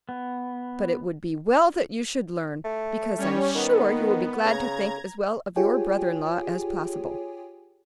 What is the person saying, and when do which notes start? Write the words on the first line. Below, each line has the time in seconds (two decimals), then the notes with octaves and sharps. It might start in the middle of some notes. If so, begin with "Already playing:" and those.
"But it would be well that you should learn, because I'm sure you will be glad to think as well of your brother-in-law as possible."
0.09 B3
2.64 A3
3.17 G3 C#4 C#5
3.55 D#3 B3
4.45 C#3 A#5 G#6
5.56 F4 G4 G#4 C#5 G5 G#5